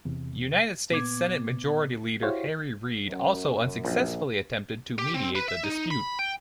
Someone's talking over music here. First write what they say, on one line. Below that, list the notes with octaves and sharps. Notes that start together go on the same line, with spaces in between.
United States Senate Majority Leader Harry Reid also unsuccessfully attempted to mediate the dispute.
E2 C3
A#2 B3 D6 G#6
E4 F#4 G4 C5 C#5 F5
F#2
A#1
G4
C4
B4
E5
D#4
B5
G5